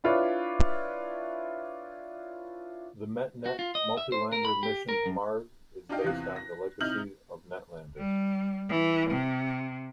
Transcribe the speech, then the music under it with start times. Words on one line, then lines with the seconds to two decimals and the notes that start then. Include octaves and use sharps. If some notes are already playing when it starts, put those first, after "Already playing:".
The MetNet multi-lander mission to Mars is based on the legacy of NetLander.
0.04 D4 E4 F4 B4 C#5 D5
3.46 F#4
3.59 F4
3.75 D#5
3.97 E5
4.12 C5
4.33 A#4
4.45 B5
4.63 G4
4.89 A#4
5.06 F#2
5.89 D4 D#4 F4 F5 G5
6.04 E2 C3 F4 F#6
6.36 A#6
6.80 C3 D#4 E4 F6 G6 F#7
7.98 G3
8.69 E3
9.11 C3